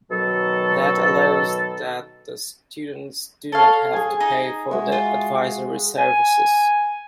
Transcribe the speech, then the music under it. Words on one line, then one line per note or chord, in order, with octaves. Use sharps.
That allows that the students do not have to pay for the advisory services.
B2 D#3 F#3 F#4 A4
A4 C#5 F5
G#4 G#5
D#4
G#3 F#4 E5
F4
G#5